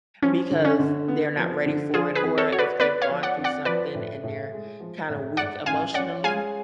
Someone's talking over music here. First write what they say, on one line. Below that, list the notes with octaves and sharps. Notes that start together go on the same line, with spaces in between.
because they're not ready for it, or if they've gone through something, and they're kinda weak emotionally,
F3 C#4
D3
C#4
D3
B3
F3
D3
F3 F4 G#4
G#4 B4
F2
A4 C#5
F#4 C#5
B4 D5
B3 B4 D5
C#5 F5
F3
D5 F#5
F2
D5 F#5
F3 B4 D5
A2
A2
G#3
F3
A2
G#2 D5 F#5
A1 F5 G#5
C#4 D5 F#5
G#3 F5 G#5